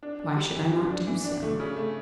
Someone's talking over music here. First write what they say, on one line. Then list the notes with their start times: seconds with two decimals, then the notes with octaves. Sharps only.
"Why should I not do so?"
0.03 D4
0.20 D4
0.37 G3
0.55 E3
0.72 E3
0.90 D4
1.07 E3
1.24 D4
1.42 A3
1.60 C#3
1.77 A3